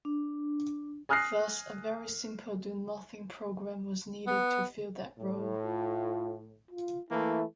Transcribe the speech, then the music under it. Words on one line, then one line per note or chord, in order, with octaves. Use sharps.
Thus a very simple do-nothing program was needed to fill that role.
D4
G#5 D#6 F6 F#6 A#6 C7
B3
A2
F4
F4
E3 A3 A#3 E4